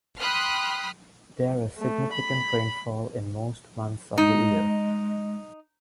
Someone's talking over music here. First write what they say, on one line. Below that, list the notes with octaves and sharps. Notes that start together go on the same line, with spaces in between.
There is significant rainfall in most months of the year.
G5 B5 C6 D#6 F6 F#6
A3
B5
G#3 D#4